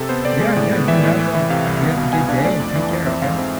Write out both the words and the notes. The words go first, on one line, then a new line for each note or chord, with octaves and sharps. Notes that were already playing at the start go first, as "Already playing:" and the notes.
Yeah, yeah, you have a you have a good day, and take care, okay?
Already playing: C3 A4
B3 C5
C3 D5
G#3
A2
B3
E3 E5
A2
E3
E3
C3 F5
C2
B3
B2
B3 G#5
D4 F5
A3 D5
F2
E3
F2
C4 E5
G#2 F5
C4